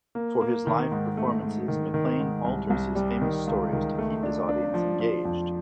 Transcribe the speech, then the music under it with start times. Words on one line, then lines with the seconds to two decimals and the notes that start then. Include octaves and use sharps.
For his live performances, McLean alters his famous stories to keep his audience engaged.
0.15 A#3
0.41 A#3
0.67 D#3
0.92 G#2
1.17 A3
1.42 G#2
1.68 D#3
1.94 D#3
2.20 G#2
2.44 C2
2.70 C2
2.95 G3
3.21 D#3
3.47 C#2
3.73 D#3
3.99 A3
4.23 D4
4.49 D4
4.74 F3
5.00 F3
5.25 F2